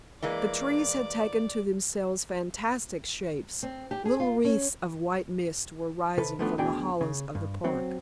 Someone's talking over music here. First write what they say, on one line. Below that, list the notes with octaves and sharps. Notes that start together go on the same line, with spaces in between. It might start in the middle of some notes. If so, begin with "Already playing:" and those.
The trees had taken to themselves fantastic shapes, little wreaths of white mist were rising from the hollows of the park.
E3 G#3 A#3 D5
C4
G4
G#4
F4
C#4
C3 A4 B4
D#3 F3 A3 B3 D4 F4
D2 B2 D4 G#4 G5
C#3
G2
F#3 C4